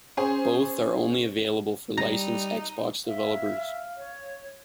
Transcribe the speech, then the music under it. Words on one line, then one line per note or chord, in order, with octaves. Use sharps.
Both are only available for licensed Xbox developers.
C#4 G#4 C5 G#5
G3 D#4 A#5
E5 F5
C#5